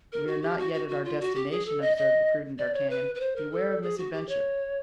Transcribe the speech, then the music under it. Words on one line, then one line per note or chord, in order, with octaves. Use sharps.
"We are not yet at our destination," observed the prudent D'Artagnan; "beware of misadventure."
A#4
F#4
G4
F#4
F#4
F#4
F4
F#4
G4
G#4
A4
D#5
D#5
D5
C#5
B4
B4
C5
A#4
A4
G#4
F#4
G4
C#5